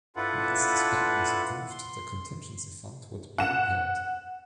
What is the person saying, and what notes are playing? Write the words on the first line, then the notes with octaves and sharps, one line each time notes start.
Once the spending is approved the contingency fund would be repaid.
D4 E4 F4 A4 B4 F#5
C6
F#5 E7